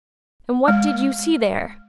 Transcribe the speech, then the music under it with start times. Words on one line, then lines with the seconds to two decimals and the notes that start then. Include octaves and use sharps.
'And what did you see there?'
0.68 G#3